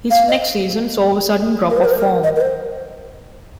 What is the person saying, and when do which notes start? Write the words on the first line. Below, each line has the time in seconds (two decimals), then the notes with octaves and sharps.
His next season saw a sudden drop of form.
0.11 F5
0.28 D#5
1.70 A#4
1.78 C5
1.85 A#4
1.92 C5
1.99 A#4
2.23 D#5
2.36 A#4
2.41 C5